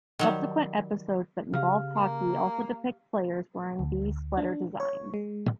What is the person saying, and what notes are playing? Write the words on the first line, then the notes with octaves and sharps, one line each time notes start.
Subsequent episodes that involve hockey also depict players wearing these sweater designs.
D#3 F#3 G3
C#3 G4 F5 F6
A#3
D2
D4
C#5
G#3